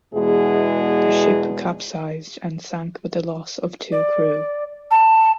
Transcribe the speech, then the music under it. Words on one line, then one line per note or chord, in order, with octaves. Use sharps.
The ship capsized and sank with the loss of two crew.
E2 B2 E3 G#3 G#4
D5
A5